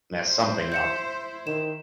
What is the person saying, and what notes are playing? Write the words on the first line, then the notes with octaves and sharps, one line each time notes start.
mess something up
E4 C5
G6 C#7 E7
D#3 E7